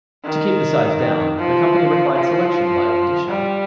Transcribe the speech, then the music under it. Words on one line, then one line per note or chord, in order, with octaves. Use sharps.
To keep the size down, the company required selection by audition.
D#3
F3
F3
G3